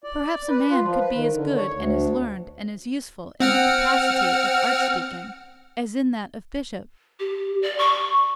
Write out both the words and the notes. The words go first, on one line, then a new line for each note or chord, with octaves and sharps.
Perhaps a man could be as good and as learned and as useful in the capacity of archdeacon as in that of bishop.
D5
B4
F4
F3
B4
D#3
D3
C#5
D2
C4 F#5 F6
G4
D5
C#6